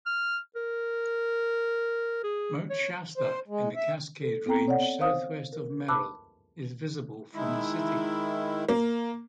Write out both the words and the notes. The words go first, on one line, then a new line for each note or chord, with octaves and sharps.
Mount Shasta in the Cascade Range southwest of Merrill, is visible from the city.
F6
A#4
G#4
C#5
C5
G#3
E5
A4
B3 C4 A4 G5 A#5
C#5 D5 F#5
C5 F5 D#6
A#4
A5 B5 D6 E6 F#6
D#3 G#3 E4
A#3